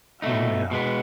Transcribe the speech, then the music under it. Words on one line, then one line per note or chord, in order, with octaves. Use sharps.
Oh yeah,
B2 A3 D#4
B2 G#3 B3